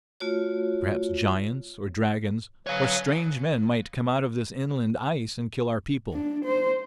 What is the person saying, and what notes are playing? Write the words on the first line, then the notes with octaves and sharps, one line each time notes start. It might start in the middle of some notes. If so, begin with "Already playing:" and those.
Perhaps giants or dragons or strange men might come out of this inland ice and kill our people.
A3 F4 F#4 C#5
F#3 B4 C#5 F5
D4
C5